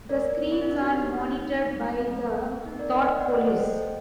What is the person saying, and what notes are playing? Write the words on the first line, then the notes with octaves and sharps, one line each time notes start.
The screens are monitored by the Thought Police.
A#4 D5
C4
D4
D#4
F#4
G4
D#4
D#4
C4
A3
A#3
C4
D#4
A#4 D5
D#5 G5
D#5 G5
D5 F#5
C5 D#5
A4 C5
D#5 G5